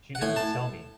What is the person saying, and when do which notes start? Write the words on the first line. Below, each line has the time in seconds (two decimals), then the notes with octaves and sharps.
She didn't tell me.
0.15 F#5
0.21 A2 G#5
0.36 A5